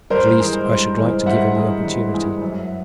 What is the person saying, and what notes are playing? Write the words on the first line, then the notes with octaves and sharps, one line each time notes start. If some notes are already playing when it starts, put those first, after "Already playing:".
At least, I should like to give him the opportunity.
G2 A#4 C5
E3 G#3
G2
E3 G#3
G2 E5 F#5
E3 G#3
G2
E3 G#3
F#2